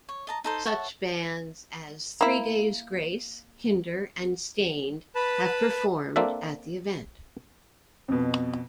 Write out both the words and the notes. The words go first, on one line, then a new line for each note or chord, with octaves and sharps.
Such bands as Three Days Grace, Hinder, and Staind have performed at the event.
C#5
D#5 A5 A#5
D#4 A4 C5
C#5 E5 F#5 A5
A#3 E4
B4 A5 B5
A#3 C4 D4 A4 E5
F2 B2